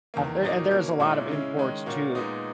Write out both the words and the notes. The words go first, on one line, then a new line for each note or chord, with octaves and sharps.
there and there's a lot of imports too.
E2 D#3 A#3
A#2 F#3 A#3 D#4
B2 A#3 C#4
A#2 G#3 C#4 E4
C#3 G#3 C#4 E4
D#3 G#3 C#4
A#2 A#3 C#4 F#4
A#2 G#3 B3 D#4